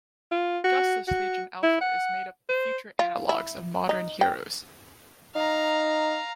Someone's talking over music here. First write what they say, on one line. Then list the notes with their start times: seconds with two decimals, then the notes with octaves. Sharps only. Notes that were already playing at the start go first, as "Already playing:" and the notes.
Justice Legion Alpha is made up of future analogues of modern heroes.
0.31 F4
0.64 F#4
1.08 F#4
1.63 E4
1.81 F#5
2.49 C5
2.99 F4
3.29 E4
3.89 D#4
4.21 G5
5.35 D#4 F5 A#5